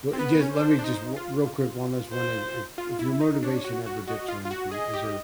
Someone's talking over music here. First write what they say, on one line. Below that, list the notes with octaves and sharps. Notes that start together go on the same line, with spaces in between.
Well, e just let me just r real quick, one last one if if if your motivation ever dips or anything, is there
C4
B3 B4
C#4
C5
D4
D4
D#4
F4
C5
F4
E4
D#4
D4 C#5
F#4
F#4
F#4 D#5
F4
F4
F#4
G#4 D#5
G4